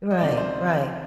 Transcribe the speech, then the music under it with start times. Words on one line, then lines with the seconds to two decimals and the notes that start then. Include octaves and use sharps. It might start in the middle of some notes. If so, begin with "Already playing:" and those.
Right, right.
0.11 D#5
0.20 C#2 C3 D#3 D5
0.38 C5